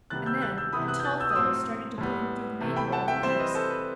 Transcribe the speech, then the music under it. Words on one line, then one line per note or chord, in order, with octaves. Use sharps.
And then a tall fellow started to put him through the manual of arms.
C3 D#3 G3 B3 F#6 A6
E6 G6
F#6 A6
E6 G6
C3 E3 B3 B5 D#6
D#6 F#6
G6
F#6 A6
E6 G6
D#6
A2 F#3 C4 C6 E6
A2 G3 B3
C3 E3 A3
G5 B5
F#5 A5
E5 G5
E3 G3 C4 C5 E5
B4 D#5
A4 C5
B4